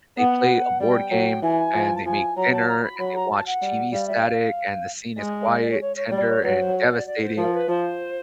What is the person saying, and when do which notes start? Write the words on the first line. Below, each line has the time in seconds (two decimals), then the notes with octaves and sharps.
they play a board game, and they make dinner, and they watch TV static, and the scene is quiet, tender, and devastating.
0.18 B3 F#5
0.80 G3 G5
1.11 F#3
1.43 E3 G#5
1.74 F3
1.95 A5
2.05 F3 G#5
2.36 F#3 A#5
2.52 A5
2.68 A#5
2.83 B5
2.99 F#3 B5
3.15 A#5
3.31 A5
3.46 F#5
3.62 G3
3.93 G3 F5
4.07 E5
4.20 F5
5.18 G#3
5.50 D#5
5.60 D5
5.70 C#5
5.81 C#5
5.96 C#5
6.08 C#5
6.12 G3 D5
6.28 C#5
6.43 F#3 B4
6.60 C5
6.74 C#5
6.91 D5
7.07 D5
7.22 C5
7.37 F3 A#4
7.53 B4
7.68 F3 C5